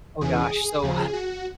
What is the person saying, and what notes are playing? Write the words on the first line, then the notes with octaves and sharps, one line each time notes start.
Oh gosh, so,
E2 C#3 E3 G#4
D#2 C#3 F3
F#4